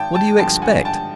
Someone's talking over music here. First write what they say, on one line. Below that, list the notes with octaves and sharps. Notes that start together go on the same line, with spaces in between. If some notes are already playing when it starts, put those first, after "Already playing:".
What do you expect?
Already playing: G#1 G5 A5
G5 A5
G2 D3 F3 G#3 G5 A5
F#5 G#5
G#1 G5 A5